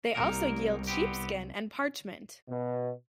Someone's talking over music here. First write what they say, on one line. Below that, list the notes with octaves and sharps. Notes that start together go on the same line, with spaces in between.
They also yield sheepskin and parchment.
C2 A#3 D#4 A#4
B3 C4 G4
B2